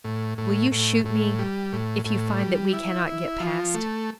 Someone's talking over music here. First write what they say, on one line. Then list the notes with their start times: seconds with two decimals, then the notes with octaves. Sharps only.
"Will you shoot me if you find that we cannot get past?"
0.04 A2
0.38 A2
0.72 A2
1.05 A2
1.39 G3
1.73 A2
2.06 A2
2.40 G3
2.73 E4
3.07 E4
3.40 F3
3.74 A3